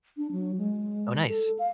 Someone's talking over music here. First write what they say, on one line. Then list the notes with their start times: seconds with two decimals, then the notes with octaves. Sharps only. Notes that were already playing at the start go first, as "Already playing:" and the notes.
Oh, nice.
0.17 D4
0.32 F#3
0.58 G#3
1.27 A4
1.59 F5